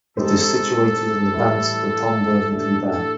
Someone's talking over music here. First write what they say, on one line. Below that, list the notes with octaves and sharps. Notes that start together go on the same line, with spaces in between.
It is situated on the banks of the Tom Worthington Dam.
G#3 C4 D#4 G4 A4
A2 E3 G3
A2 E3 A3 D4 G4 A4
A4